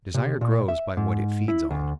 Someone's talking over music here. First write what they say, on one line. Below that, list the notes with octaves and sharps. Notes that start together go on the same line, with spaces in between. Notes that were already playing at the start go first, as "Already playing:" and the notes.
Desire grows by what it feeds on.
C3
A#2
E5
G#2
E4
D2